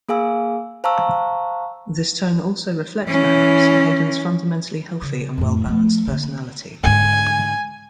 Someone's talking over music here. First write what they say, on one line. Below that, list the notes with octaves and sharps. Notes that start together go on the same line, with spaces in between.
This tone also reflects, perhaps, Haydn's fundamentally healthy and well-balanced personality.
A#3 G#4 F5 G#5 E6
C5 F5 A5 A#5 C#6 E6
E3 C#4
C#3
F2 A2
F3 A3
D3 A#3
G#2 D3 G#5